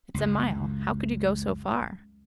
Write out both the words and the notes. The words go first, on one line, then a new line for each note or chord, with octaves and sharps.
"It's a mile, how could you go so far?"
C#2 F#2